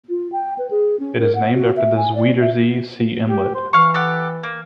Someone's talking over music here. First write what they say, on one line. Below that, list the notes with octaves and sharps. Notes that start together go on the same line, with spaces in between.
It is named after the Zuiderzee sea inlet.
F4
G5
B4
G#4
C#4
A#4
F#5
F#4
E5
G#5
D5
E5
G4
C5
E3 F5 C#6
G4 A4 F#5
A#3